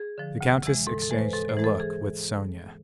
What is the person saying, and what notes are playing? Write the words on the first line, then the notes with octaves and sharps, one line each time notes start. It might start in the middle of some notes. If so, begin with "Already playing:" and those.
The countess exchanged a look with Sonya.
Already playing: G#4
D3 F3
D2
C3 E3 G#3
G#2 A4
A4
E3 G#3 C5
B4
G#2 A4
C5
E3 G#3
A4
G#4